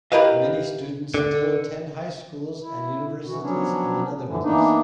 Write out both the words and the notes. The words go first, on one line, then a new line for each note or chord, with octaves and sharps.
Many students still attend high schools and universities in the Netherlands.
E4 G4 A#4 B4 D#5 F5
D3
E4
B2 E3 F#4
F3 F#3 B3 C#4 D4
F#2 D3 E3 F3
E3 A#3 B3 D4 D#4